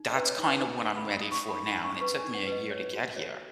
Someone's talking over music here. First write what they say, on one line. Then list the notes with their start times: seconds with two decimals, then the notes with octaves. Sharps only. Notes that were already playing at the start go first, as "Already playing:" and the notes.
that's kinda what I'm ready for now, and it took me a year to get here.
Already playing: D#4
0.10 D#5
0.16 B4
0.27 C#5
0.39 D#4
0.45 D#5
0.61 D#4 G#5
0.85 D#4
0.96 B5
1.08 D#4
1.20 D#6
1.31 D#4 C#6
1.49 B5
1.55 D#4
1.66 B5
1.77 D#4
1.84 C#6
2.01 B4 C#6
2.18 G#5
2.24 D#4
2.35 F#5
2.47 B4
2.52 D#5
2.70 C#5
2.93 F#4
3.16 C#5